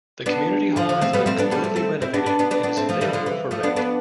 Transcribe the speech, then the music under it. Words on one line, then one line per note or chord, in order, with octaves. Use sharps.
The community hall has been completely renovated and is available for rent.
B3 D4
D3 F3
D3 F3
A3 C4
G3 B3
A3 C4
B3 D4
G3 B3
A3 C4
A3 C4
C4 E4
B3 D4
B3 D4
B3 D4
B3 D4
B3 D4
A3 C4
F3 A3
E3 G3
D3 F3
E3
F3 A3
B3 D4
B3 D4